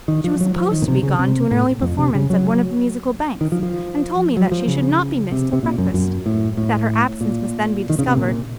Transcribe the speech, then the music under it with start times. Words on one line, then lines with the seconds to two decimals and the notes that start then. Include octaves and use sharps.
She was supposed to be gone to an early performance at one of the Musical Banks, and told me that she should not be missed till breakfast, but that her absence must then be discovered.
0.08 D#3
0.24 F3
0.41 F#3
0.56 F3
0.72 D#3
0.82 A#2
0.88 C3
1.03 C#3
1.19 C3
1.51 A2
1.82 F2
1.98 C3
2.15 C#3
2.30 F#3
3.41 D#3
3.52 F3
3.63 F3
4.37 F#3
4.52 F3
4.68 C#3
5.32 C3
5.53 C3
5.63 A#2
5.78 F#2
5.94 F#2
6.26 A2
6.57 A2
7.21 A#2
7.90 D#3
7.99 C#3
8.07 C3
8.17 A#2